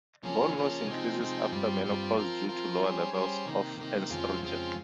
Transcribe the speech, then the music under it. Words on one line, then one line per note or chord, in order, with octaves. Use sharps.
Bone loss increases after menopause due to lower levels of estrogen.
C#3 F3 A#3 C#4 G#4
C#3 F3 A#3 C#4 G#4
C3 F3 G#3 C4 D#4
C3 F3 G#3 C4 D#4
G2 G3 C4 F4
G2 G3 C4 F4
F3 C4 F4 A#4
F3 C4 F4 A#4
G3 C#4 G#4 C5
G3 C#4 G#4 C5
C3 D#3 A#3
C3 D#3 A#3
F2 C#3 G#3 C4 F4
F2 C#3 G#3 C4 F4